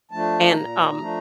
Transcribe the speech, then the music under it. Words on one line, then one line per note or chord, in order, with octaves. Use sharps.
and, um
F3 A3 D4 A5
A#2 A#5
F3 A3 D4